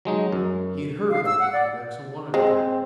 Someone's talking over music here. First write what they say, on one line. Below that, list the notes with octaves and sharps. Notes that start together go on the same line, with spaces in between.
He had heard about the ibex and wanted a pair.
F#3 G#3 D#4
F#2
F5
E6
F#5
D5
G#3 C4